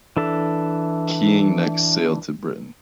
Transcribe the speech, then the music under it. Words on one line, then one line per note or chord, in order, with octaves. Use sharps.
"Keying" next sailed to Britain.
E3 D4 A4 E5